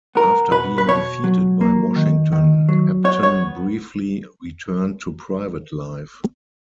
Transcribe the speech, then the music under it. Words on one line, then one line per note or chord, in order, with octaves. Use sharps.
After being defeated by Washington, Epton briefly returned to private life.
B3 A#4
B2 B4
B4
B2 C#5
F#3
A#3
D#3
D#3
F#3
B3 C#5
C#5